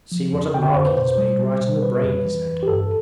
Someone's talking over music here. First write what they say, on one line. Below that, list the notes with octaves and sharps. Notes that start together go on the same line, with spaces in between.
'See what a mark he has made right in the brain,' he said.
F3
F2
D3 G5
F2 C5
B4
B2 C5
G3
G3
B2
G3 B4
F2
E3
F2
G4
G2 A4